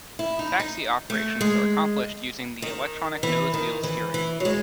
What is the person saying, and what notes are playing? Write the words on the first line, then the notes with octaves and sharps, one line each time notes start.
Taxi operations are accomplished using the electronic nose wheel steering.
E4
D#4
D#4
A3
G#3
D#3
E3
D#3
E3
E3
F#3
G#3